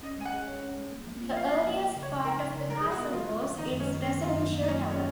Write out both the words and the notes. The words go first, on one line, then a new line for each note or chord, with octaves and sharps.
The earliest part of the castle was its residential tower.
C#4 D#5
G#3 G#5
F#5
G#4
C#5
C#4
G#3
A#3
F3
F4
A#4 F5
A#3
F3
F3
C#3
C#5
G#3
D#4 A#4
F3
C#3
G#3 A#4
F3 G#4
F#4
B3
F3 F4
G#3
F3
D#3 D#4
F#2
C#4
G#3
B3 C#4
D#3
F4
F#2
A#3
F#3 D#4
C#4
F4
C#4 G#4